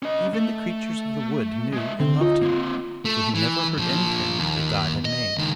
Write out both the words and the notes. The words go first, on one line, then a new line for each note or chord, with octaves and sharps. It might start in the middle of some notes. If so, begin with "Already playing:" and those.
Even the creatures of the wood knew and loved him, for he never hurt anything that God had made.
C#4 D#5
A3
G#3 E5
D3 C4
D#4 F4 D#5
A#3 C4
A3
E3
A#2 F3
D#2
D#5
C#2 D#3